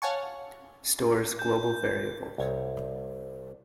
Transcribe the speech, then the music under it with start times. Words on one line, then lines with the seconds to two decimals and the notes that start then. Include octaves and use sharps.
Stores global variables.
0.02 C#5 F5 F#5 G#5 A5 C#6
1.39 G6
2.38 C2 C#5